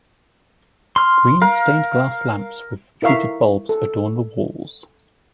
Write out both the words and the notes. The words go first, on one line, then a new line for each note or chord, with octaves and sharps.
Green stained-glass lamps with fluted bulbs adorn the walls.
C6 F6
A#4 F5
E4 A#4 E5 F5 C#6
A4